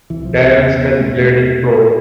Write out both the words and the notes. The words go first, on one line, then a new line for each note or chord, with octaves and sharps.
Darren Smith played in the Proles.
C2 E3
F3
C2
C4
E2 B3
B2
E2 A3